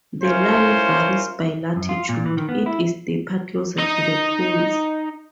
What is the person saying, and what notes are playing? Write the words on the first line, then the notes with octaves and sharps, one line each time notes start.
The line varies by latitude, it is deeper closer to the poles.
C#4 E4 F4 A#4 C5
F#2
F4
A#2
E3
D#3
B3
E4
D#4 D#5